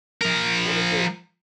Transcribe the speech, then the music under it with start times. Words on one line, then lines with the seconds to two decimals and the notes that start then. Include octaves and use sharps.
One of the
0.22 F3 A#4